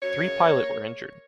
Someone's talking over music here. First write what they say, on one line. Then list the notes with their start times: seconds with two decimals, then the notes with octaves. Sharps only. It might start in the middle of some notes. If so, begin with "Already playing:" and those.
Three pilot were injured.
0.01 F#2 C#5
0.20 C#3
0.40 A#3